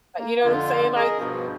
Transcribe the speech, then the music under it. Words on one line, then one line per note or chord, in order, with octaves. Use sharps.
you know what I'm saying, like,
A#3
F2 D3 F4
G#4 A#4 D#5
G2 B2 F3